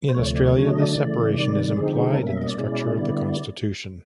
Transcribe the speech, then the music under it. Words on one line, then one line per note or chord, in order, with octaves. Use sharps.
In Australia, this separation is implied in the structure of the Constitution.
C5
D2 C3 F3 A3 C#5
D5
D5
C#5
D3 F#3 A3 D4 C#5
D#5
D5
C#3 E3 A3
C3 D#3 G3
D3 F3 G#3 C4 D#4 G#4
G4
G#4
A4
B2 G3 A#3 C#4 A#4
E5
D#5
D5
B2 G#3 C#4 E4
D3 G3 B3 E4